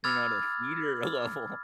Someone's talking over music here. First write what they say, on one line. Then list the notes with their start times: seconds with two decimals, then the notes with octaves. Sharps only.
you're not a theater level.
0.04 B5 D6 E6 F6 G#6 A6